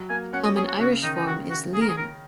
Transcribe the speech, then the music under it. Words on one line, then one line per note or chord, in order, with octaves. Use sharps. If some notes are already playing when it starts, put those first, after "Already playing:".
A common Irish form is "Liam".
Already playing: F#3
A#3 G#5
C#4 F#5
D#5
C#4 G#4
F#4
C#3 F#4
D#3 D#4
D#4
F#4
F#4
G#4
A#4
G#4
A#4